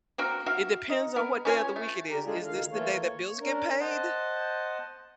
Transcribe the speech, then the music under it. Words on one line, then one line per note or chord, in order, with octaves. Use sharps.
it depends on what day of the week it is, is this the day that bills get paid?
A#3 C4 F#4 A#4
F#4 E5 F5
D#4
B3 A#4
C#4 F4 C#5 G#5
A3
D3 G4 A#4
G#3 A3 D4 F4 G#4
D2 D#3 F5
E3 A3 A#3 F4 A4 C#5
C#5
C#4 D4 A#4
C5 D#5 F#5 A5